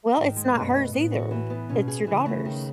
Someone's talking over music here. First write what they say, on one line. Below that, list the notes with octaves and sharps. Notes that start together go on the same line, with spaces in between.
Well, it's not hers either. It's your daughter's.
G#2 D#3
G#3
F#2 B2
A3
A2 B3
F#4
E3
B3
B2 C#4
G#4
C#3 E3
A3
D#3